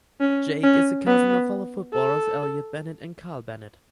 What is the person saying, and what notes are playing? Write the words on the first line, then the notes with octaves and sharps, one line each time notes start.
Jake is the cousin of fellow footballers Elliott Bennett and Kyle Bennett.
C#4
C#4
B3
A4